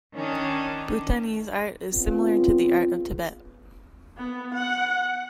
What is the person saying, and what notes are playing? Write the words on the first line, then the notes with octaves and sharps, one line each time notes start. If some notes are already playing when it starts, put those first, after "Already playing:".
Bhutanese art is similar to the art of Tibet.
D#3 C#4 D4
C#3 B3 C4 F4
B3
F#5